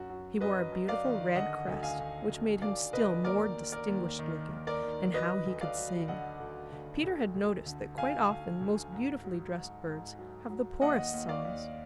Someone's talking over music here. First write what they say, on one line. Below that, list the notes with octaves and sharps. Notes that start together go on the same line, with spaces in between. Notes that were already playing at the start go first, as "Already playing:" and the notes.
He wore a beautiful red crest which made him still more distinguished looking, and how he could sing! Peter had noticed that quite often the most beautifully dressed birds have the poorest songs.
Already playing: F#2 F#4
F#3
F#2 B4 D#5
F#2
D5 F5
D#3
D3 D#5 F#5
D2
F5 G#5
D2
D2
D2 D5 F5
D2 B4 D#5
D#2 A#4 D5
D#2
A#4 D5
D#2
D#3
D#2
A#4 D5
D#3
F#3 B4 D#5
D2
D5 F5
F#3
D3 D#5 F#5
D2
D2
D2
D2
D3
D2 F5 G#5
D2
D2
G#2
F#3
G#2
G#2
F#3
F#3
D#2 D#5 F#5
D#2
D5 F5
D#2